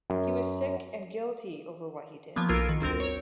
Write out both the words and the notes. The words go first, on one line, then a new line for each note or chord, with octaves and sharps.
He was sick and guilty over what he did.
F#2
F3 A#3 B3
B1 F4 A#4 E6 G#6
D#3
G1 D2 C4 A#4
C#5